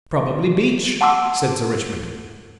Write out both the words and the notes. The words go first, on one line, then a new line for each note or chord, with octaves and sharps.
"Probably beech," said Sir Richmond.
F#5 A5 C6 D6 E6